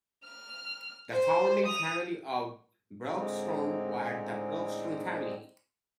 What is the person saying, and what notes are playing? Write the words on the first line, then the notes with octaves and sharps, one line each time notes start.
The founding family of Broxton were the Broxton family.
F6
C5
D#6 F7
A2 D3 G#3 C4 D#4